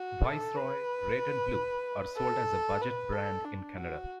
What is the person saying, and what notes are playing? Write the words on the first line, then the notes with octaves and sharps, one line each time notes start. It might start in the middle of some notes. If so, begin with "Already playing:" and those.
Viceroy Red and Blue are sold as a budget brand in Canada.
Already playing: F#4
A4
B4
A4
B4
A4
D4
F#4